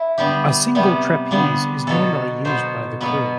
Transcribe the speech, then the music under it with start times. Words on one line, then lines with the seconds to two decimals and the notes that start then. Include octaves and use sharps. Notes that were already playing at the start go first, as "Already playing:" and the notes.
A single trapeze is normally used by the crew.
Already playing: E4
0.18 D3 G3 B3 G4
0.75 C3 G3 B3
1.31 D3 G3 B3
1.87 B2 F#3 B3 A4
2.45 B2 F#3 B3 C5
3.01 B2 F#3 B3 B4